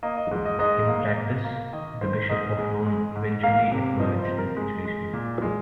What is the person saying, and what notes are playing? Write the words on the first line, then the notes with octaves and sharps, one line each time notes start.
In practice, the Bishop of Rome eventually acknowledged this situation.
A#3 D#5
D#5
G#2
D#5
G#2 D#5
A#3
A#3
A#3
D#3 D#5
D#3 C5
G#2 D#5
G#3
G#3
G#2
A#3 F5
C3
F3 D#5
C5
C3
A#4
G#3
G#3
A#2
G#3